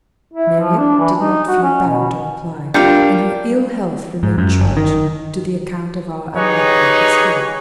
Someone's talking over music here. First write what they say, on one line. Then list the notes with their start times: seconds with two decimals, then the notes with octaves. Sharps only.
Marian did not feel bound to reply, and her ill health remained charged to the account of our unlucky atmosphere.
0.33 E4
0.59 F3
0.77 D4
0.99 E3
1.18 D#4
1.48 F#4
1.62 C#4
1.87 B2
2.74 G3 A#3 D4 F4 G5 G6 C#7
4.23 G#2
4.38 F#2
4.60 G1
4.77 D#3
6.36 D#4 G4 G#4 B4 C#5 D#5